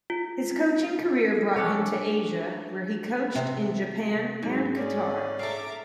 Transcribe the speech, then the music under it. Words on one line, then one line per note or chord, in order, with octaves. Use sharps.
His coaching career brought him to Asia, where he coached in Japan and Qatar.
F4
C#4 D4 A4 C#5
C3
G#2 F#3
C#4 G#4 D5
A4 E5 F5 A#5 D6